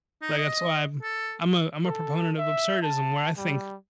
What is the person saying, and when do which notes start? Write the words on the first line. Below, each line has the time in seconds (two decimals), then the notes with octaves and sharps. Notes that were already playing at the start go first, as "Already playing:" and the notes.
Like, that's why I'm I'm a I'm a proponent of absurdism where I think
0.22 D#4
0.37 D#5
1.03 A4
1.85 A4
2.38 E5
2.83 A5
3.37 G3